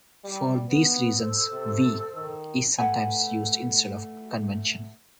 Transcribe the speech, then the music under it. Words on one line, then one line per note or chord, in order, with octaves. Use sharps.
For these reasons "v" is sometimes used instead by convention.
G3
B3
A4 C5 E6
C3
D#3
A3 B4 F#5 G#5